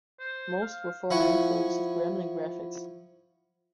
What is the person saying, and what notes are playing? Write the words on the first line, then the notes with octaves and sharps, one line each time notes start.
Most were former employees of Gremlin Graphics.
C5
F5
F3 E4 F#5 G#5 C#6